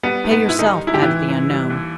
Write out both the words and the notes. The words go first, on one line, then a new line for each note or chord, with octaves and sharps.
"Pay yourself," added the unknown.
G3 B3
G#2
B3
G#2 E4
D#3 D#4
G3
G#2 E4
G4
E3 E4
G#2
G#2
G3
D#2